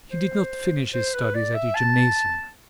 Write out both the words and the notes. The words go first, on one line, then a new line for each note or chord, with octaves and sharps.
He did not finish his studies at the gymnasium.
C5
C5
B4
D5
E5
A5